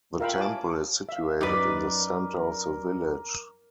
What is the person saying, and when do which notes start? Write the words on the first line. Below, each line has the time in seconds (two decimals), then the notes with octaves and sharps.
The temple is situated in the centre of the village.
0.20 F4 A#4 E5 F5 G5 B5
0.37 C#5 G#5 A5 D6
1.09 E5 F5
1.41 F#2 D#4 A#4 B4 D5